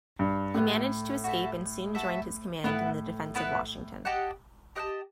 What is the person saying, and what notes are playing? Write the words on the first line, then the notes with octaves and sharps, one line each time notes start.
He managed to escape and soon joined his command in the defense of Washington.
G2
A2 B3 D#4 G4
F#4 A4 E5
F#4 A4 E5
A2 B3 E4 B4 F#5
B3 E4 B4 F#5
G4 D#5 F#5 A5
G4 D#5 F#5 A5